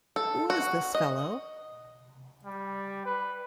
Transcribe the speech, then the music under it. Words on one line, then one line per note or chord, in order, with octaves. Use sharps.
Who is this fellow?
A4
F#4
D#5
G3
B4